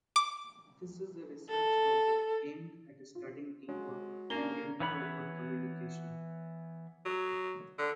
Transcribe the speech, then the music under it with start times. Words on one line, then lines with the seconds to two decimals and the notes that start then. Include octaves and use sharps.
This is a research robot, aimed at studying teamwork and inter-robot communication.
0.16 D6
1.49 A4
3.15 F4
3.69 F#3 G#3
4.30 A#3 C#4 D4 G7
4.80 E3 B3 C#5 F#5 B5
7.06 F#3
7.78 D3